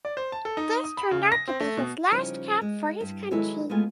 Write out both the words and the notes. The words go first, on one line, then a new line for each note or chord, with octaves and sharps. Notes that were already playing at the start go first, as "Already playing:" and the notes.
This turned out to be his last cap for his country.
D5
C5
A5
A4
D#4
D#6
B5
C#3
A#6
C4
A3
B2
C#3 F3 G3 C#4 D#4
G#3
G2
D#3 F#3 G#3 E4 A4 B4
G#3 A3 B3 F4 G#5